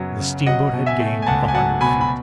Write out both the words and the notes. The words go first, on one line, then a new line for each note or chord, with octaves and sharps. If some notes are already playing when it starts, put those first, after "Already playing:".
And the steamboat had gained a hundred feet.
Already playing: F#2 C#3 F#3 B3
C#3
F#3 D#5 F#5
B2
E5 G#5
A3
G#5
C#2 F#5 A5
G#5
F#3 F#5 A5
B2 G#5 B5
B5